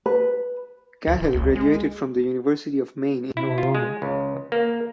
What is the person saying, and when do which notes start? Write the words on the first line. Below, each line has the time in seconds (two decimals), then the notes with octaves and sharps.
Cahill graduated from the University of Maine in Orono.
0.06 B4
1.07 D2
1.20 D#1
1.33 C#2
1.55 G#3
3.37 E4
3.58 F4
3.75 G#3
4.02 C#2
4.52 A#3